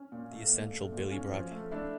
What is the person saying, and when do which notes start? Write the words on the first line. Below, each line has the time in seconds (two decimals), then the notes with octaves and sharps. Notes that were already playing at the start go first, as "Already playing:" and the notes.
The Essential Billy Bragg.
Already playing: C#4
0.12 A#2
0.31 A3
0.52 A#2
0.72 A3
0.92 A#2
1.12 C#4
1.32 F3
1.51 A3
1.71 A3 D4 E4